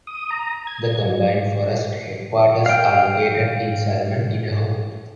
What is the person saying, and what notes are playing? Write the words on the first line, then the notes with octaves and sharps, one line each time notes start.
The combined forest headquarters are located in Salmon, Idaho.
D#6
A#5
G#6
F#3
F5 G5